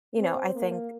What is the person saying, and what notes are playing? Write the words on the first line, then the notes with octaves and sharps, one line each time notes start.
you know, I think
C4
A#3